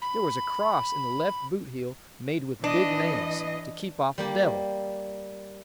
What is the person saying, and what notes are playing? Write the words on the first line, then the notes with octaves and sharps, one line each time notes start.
There was a cross in the left boot-heel made with big nails, to keep off the devil.
B5
E3 D4 D#5
G3 A#3 G4